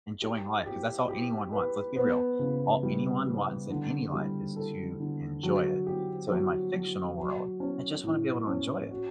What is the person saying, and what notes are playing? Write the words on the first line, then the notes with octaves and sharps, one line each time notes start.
enjoying life, 'cause that's all anyone wants. Let's be real, all anyone wants in any life is to enjoy it, so in my fictional world, I just wanna be able to enjoy it.
G4
G4
G4
B4
B3
C#3
G3
G3
D3
G3
A4
D3
F#3
G4
F#3
F#3
F#3
C#4
A2
C#4
F#4